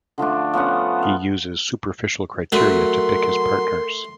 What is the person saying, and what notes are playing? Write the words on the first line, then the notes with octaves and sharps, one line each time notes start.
He uses superficial criteria to pick his partners.
D3 F3 A3 D4
F3 B3 C#4 F#5
F5
F#3 A3 A#4 C6